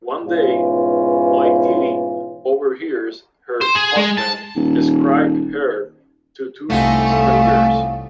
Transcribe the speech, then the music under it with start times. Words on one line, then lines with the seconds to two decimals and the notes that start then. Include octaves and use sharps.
One day, Whaitiri overhears her husband describe her to two strangers.
0.25 G#2 B2 E3 C#4 F4
3.61 C5
3.76 G#4
3.97 G#3
4.18 A5
4.56 D#1
6.70 C2 A3 C#4 D#4 F4 F5 F#5 G#5